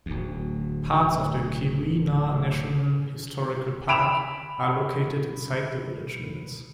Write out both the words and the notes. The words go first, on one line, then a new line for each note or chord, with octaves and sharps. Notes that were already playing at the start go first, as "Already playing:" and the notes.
Parts of the Keweenaw National Historical Park are located inside the village limits.
D1 D2
B5 D7 E7 F7